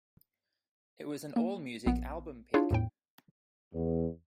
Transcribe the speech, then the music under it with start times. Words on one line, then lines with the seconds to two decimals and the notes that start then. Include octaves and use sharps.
It was an AllMusic 'Album Pick'.
1.36 A#3
1.86 A#1 B3
2.54 D4 E4 F4 G#4 C#5 F5
2.71 E2 A2 G5
3.74 E2